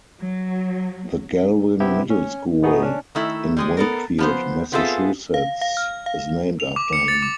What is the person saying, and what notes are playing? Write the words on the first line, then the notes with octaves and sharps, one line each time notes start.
The Galvin Middle School in Wakefield, Massachusetts, is named after him.
F#3
C3 B3 E4 G4
C#4
A2 A3 B3 D#4 F#4 G#4
C#4 D4
D#3 A3 E4
G3 G#3 G#4
B3 A4 A#4
F3 B3 C5
B3 C4 F4 G#4 A4 E5
F5
F5
F6
F5
F7
D6
C#7
A6
D6